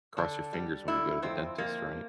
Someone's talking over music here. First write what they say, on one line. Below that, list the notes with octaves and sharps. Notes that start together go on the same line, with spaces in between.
cross your fingers when you go to the dentist, right?
D3 D4
G3
D3 E4
F2 C4
F2 A#3